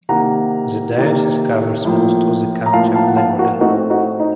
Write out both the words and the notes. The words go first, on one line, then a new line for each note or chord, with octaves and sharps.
The diocese covers most of the County of Glamorgan.
C3 D#3 A#3 F#5 A#5
C3 D#3 A#3
A2 F3 A#3
A#5
A2 F3 A#3 F5 A5
F5 A5
F#5
F5 A5
F#4 A#4
A2 A3 C4 D#4 F#4
D#4 F#4
D#4